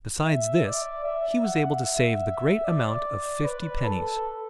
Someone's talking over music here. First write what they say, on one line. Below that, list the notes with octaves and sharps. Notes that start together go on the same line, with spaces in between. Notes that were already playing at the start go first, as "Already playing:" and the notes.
Besides this, he was able to save the great amount of fifty pennies.
E5
D5
E5
F#5
E5
D5
B4
A4